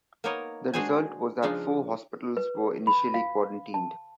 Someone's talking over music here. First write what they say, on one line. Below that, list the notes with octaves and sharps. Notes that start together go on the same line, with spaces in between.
The result was that four hospitals were initially quarantined.
A#3 B3 D#4 A#4 C#5 D#5
G#3 D4 F#4 G#4 C5 G#5
C#3 F3 G#3 D4 D#4 F4
B4
B5
F5
A5